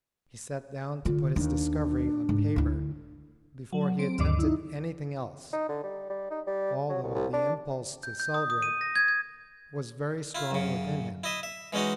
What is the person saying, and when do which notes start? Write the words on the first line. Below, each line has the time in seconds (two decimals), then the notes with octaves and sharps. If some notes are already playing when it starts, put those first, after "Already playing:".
He sat down to put his discovery on paper before he attempted anything else, although the impulse to celebrate was very strong within him.
1.05 D3 F4
1.36 D#2 D4
2.29 G#2
2.56 D2 E4
3.72 F#3
3.99 C4 D7
4.18 D2 G2 D3 D#3 D6
4.39 D#4 E4
5.53 D#4
5.69 D3
5.83 G3
6.10 G3
6.31 D#4
6.47 G3
6.89 F#3
7.03 C2
7.15 C2
7.33 D4
8.03 G6
8.20 G6
8.34 D#6
8.50 D#6
8.62 D#7
8.81 A#6
8.96 G#6
9.08 G#6
10.35 E4 F4
10.51 F#2 C#3
11.24 E4 D#5 E5
11.43 E5
11.73 E3 G#3 C#4 D#4 F#4